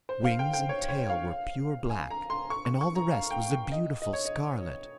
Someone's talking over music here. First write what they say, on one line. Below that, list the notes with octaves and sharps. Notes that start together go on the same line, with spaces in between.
Wings and tail were pure black and all the rest was a beautiful scarlet.
C5
F5
G5
G5
C#5
C#5
F5
G#5
A#5
C6
C#6
C#6
C#6
A#5
F5
G5
G5
D#5
D#5
C#5
D#5